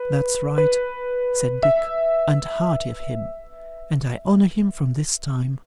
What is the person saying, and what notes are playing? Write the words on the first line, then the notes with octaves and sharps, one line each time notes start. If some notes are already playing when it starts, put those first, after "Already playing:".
'That's right!' said Dick; 'and hearty of him; and I honour him from this time.
Already playing: B4
B4
E5